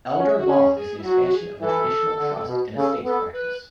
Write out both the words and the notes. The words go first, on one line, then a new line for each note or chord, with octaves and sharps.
Elder law is an expansion of the traditional trust and estates practice.
F#5
C#4
E5
F#4
C#4 G#4
G#4
E4
F#3 F#4
F#4
G#4
E3 A4
D3
B2
C#3 A4
B3 A4
B4